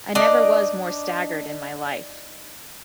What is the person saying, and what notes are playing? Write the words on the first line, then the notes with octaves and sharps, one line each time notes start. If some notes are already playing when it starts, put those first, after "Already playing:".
I never was more staggered in my life.
D4 D#4 D5 D#5